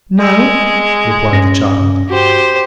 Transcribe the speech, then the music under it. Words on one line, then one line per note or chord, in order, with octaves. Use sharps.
"No," replied the child.
G#3 D#5 D#6 E6
G2 C#4 A#6
F#4 G4 C5